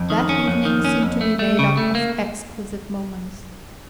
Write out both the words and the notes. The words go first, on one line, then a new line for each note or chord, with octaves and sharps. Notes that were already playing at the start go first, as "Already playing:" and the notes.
That evening seemed to be made up of exquisite moments.
Already playing: F2
D#3
C#4
F2
D#3
C#4
F2
A3
A3
C#3
A3
A#3